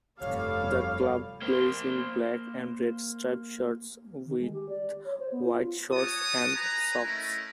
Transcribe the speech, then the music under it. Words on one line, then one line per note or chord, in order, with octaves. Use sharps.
The club plays in black and red stripe shirts with white shorts and socks.
F1 G2 G3 A4 C#5 F5
A#3 C5
D#3
G#3
G4
D5
C#5
C5
B3
F4
F#4 C#5 A5 D#6
B4 G#5 A#5
A3 C#4 E4 A#4 D#5